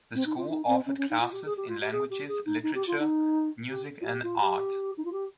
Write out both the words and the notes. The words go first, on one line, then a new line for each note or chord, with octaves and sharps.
The school offered classes in languages, literature, music and art.
C4
D#4
F4
D#4
C4
C#4
C#4
D#4
F4
G4
G#4
G4
F4
G4
G#4
G4
G#4
D#4
D#4
G4
F4
D#4
G4
F4
G4
F4
G4
D#4
F4
G4